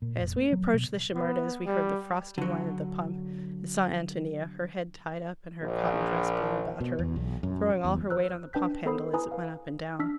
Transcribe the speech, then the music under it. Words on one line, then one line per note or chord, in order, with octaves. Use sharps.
As we approached the Shimerdas' we heard the frosty whine of the pump and saw Antonia, her head tied up and her cotton dress blown about her, throwing all her weight on the pump-handle as it went up and down.
A#2
F1
A#3
F#3
B2
B3
G3
D3 F#3
A#1
B2
E2
B1
F#2
E2
C5 A#5 E6 F#6
D4 B4 G5 G6 B6
B3 A4 C5 B5 D#6 C7
E4 B4 G#5 A#5 D#6
B4 F5
D4 E6 F6 B6